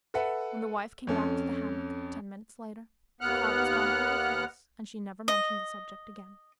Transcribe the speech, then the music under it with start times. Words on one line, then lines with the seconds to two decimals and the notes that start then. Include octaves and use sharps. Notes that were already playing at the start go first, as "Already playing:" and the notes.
When the Wife came back to the hammock, ten minutes later, the cloud was gone from her face, and she never mentioned the subject again.
0.14 A4 B4 E5 F#5
1.07 F2 C#4 A4
3.21 D#2 B3 F#5 F6 F#6
5.28 D#5